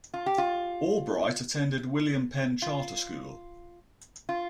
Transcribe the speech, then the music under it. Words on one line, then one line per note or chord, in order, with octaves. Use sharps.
Albright attended William Penn Charter School.
F4
G4
F4
F4
F4